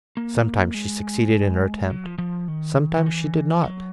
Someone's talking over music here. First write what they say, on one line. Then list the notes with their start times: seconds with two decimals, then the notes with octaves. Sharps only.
Sometimes she succeeded in her attempt; sometimes she did not.
0.17 A#3
0.74 G#3
1.90 F#3
2.05 F3
2.18 F3
2.48 D#3
2.97 D#3
3.06 E3
3.63 F#3